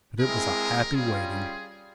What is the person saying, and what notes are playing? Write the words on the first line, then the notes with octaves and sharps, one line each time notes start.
But it was a happy waiting.
G#3 C4 E4 G#4 A#4
G3 C#4 F4 G#4